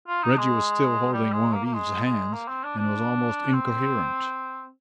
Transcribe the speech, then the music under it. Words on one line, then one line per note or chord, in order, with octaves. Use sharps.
Reggie was still holding one of Eve's hands and was almost incoherent.
F4
D#4
G#3
G3
G#3
A#3
A#3
G#3
G#3
A#3
C4
D4
D4
C4